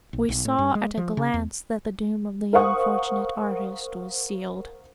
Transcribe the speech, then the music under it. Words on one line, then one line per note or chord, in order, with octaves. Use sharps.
We saw at a glance that the doom of the unfortunate artist was sealed.
B1
B1
A2
G2
G#3
F3
C#3
E2
A#4 C5 F5 F#5 C#6 D#6